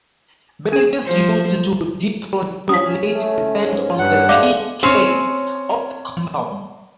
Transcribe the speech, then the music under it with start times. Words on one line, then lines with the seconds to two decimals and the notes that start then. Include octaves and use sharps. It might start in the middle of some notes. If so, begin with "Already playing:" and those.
Bases used to deprotonate depend on the p"K" of the compound.
0.72 C#4 G#4
1.04 F3 C5
2.69 C#4 D#6 B6
3.15 A3
3.63 G#2
3.99 G2 C#5 F#5
4.29 G#3 A3 D5 F5 D6
4.83 C4 C#4 C#5